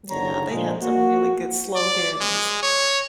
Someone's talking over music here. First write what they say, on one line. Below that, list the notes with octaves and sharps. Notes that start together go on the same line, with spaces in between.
Yeah, they had some really good slogans
F#1 D#2 D3 D4 C#5 A#5
A#2 D3 F3 G#3
A#3 F#4
D5
G#3
C#5